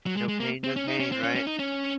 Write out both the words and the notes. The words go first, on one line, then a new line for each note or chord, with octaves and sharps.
No pain, no gain, right?
F#3
G#3
G#3
A#3
C4
C#4
D#4
C#4
C4
C#4
C#4
D#4
C#4